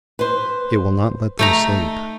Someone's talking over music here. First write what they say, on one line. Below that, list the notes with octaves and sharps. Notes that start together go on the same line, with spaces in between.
It will not let them sleep.
B4 C5
A3 D#4 A#5